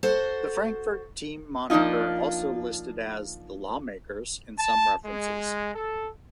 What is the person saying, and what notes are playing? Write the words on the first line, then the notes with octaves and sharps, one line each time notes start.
The Frankfort team moniker also listed as the "Lawmakers" in some references.
F#4 A4 C5 F#5
F3 A#3 D4 D#4 F4
A5
G#3
A4